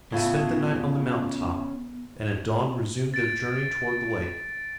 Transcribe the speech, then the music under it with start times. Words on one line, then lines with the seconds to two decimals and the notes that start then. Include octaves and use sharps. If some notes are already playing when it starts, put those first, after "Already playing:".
They spent the night on the mountain-top, and at dawn resumed their journey toward the lake.
0.12 A2 C#3 A3 B3 F4 F5
3.14 A6 D7